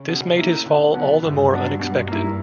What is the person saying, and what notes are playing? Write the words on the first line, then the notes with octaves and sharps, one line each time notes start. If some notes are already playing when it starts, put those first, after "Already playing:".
This made his fall all the more unexpected.
Already playing: C#3
B2
A#3 E4
D2 B2
D3 F#3 B3 D4
D2 G2
D3 F#3 B3 D4
B2
A#3 E4